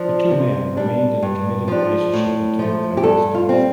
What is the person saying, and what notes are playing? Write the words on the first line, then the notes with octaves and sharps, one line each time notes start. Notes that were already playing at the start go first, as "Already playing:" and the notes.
The two men remained in a committed relationship until McLaren's death.
Already playing: F3 D4
C3
G3 D4
G2
F3 D4
A2
F3 A3
G4
G2 A4
F4
G3 C4